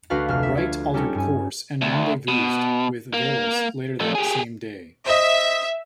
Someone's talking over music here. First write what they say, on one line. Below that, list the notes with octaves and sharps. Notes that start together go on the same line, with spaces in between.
"Wright" altered course and rendezvoused with "Velos" later that same day.
D2 D4 F#4 B4 F5 A6
F1 E5 F5 F6
E5
F4 G#6
G3 C#4 D#4 G4 A4 C#5
G2 G#5
D2
B2
A#3
F2 A3
G4 G#4
C5 D#5 E5